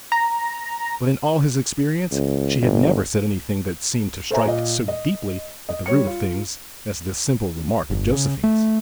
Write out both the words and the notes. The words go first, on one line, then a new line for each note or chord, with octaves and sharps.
But in all his experience she had never said anything that seemed to strike so deeply at the root of things as this simple remark of Josephine's.
A#5
C#2
G1
A4 C5 C#5 E5 G#5 A#5
A#2 D#5
D#5
D#5
G3 C#5 C#7
F4
G1
C#3
A3